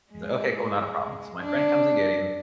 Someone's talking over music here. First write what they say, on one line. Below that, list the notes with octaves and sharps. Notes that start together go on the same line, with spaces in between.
He's like, "Okay, cool, not a problem." So my friend comes and get him,
G#3
D4